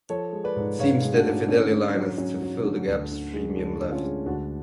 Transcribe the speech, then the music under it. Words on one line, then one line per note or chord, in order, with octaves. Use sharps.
It seems that the Fidelio line is to fill the gap streamium left.
F3 A4 C#5
G#3
B4 D5
G#2
G#2 C#5 F5
G#3
D4 F#4
G#2
D3 C#4
D3
F#3
F#3 C#4
F#3
D3
D2
D3
G#3
D2 D4
D2
C#4 F4
G#3
D2 D4 F#4